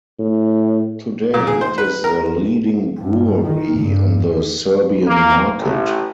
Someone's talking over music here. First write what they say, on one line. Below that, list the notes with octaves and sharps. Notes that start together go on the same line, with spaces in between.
Today, it is the leading brewery on the Serbian market.
A2
A#2
G#4
C5
B4
A#4
G2
D#3
G2
A#3
A1